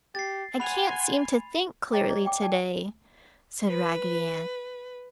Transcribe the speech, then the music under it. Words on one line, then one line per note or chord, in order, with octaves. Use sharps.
"I can't seem to think clearly to-day," said Raggedy Ann.
G4 A6 C7
F#5 G#5 B5 C6 F7
C#5 D#5 E5 G5 A#5 D6
G#4 D5 A#5
F#5 G5 D6
D5 G5 A5
B4